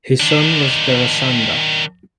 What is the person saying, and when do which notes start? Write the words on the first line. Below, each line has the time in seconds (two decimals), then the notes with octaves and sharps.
His son was Jarasandha.
0.20 D#3 D4